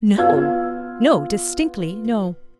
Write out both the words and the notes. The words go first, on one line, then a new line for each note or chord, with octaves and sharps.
"No, no--distinctly no."
B3 F4 F5 E6 G#6